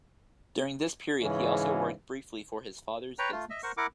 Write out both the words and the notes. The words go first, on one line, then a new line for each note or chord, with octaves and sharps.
During this period, he also worked briefly for his father's business.
G#2 C#3 E3 C#4
B4 C#5 G5 A#5
A3 F4
D#5 E5
A#4 C5 F#5 C#6
E4 A#4 F#5 D6